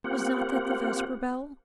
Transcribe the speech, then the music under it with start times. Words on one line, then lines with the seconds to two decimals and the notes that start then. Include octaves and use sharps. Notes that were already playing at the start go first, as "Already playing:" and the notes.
Was not that the vesper-bell?'
0.04 A#3 C4 F4 G4 F#5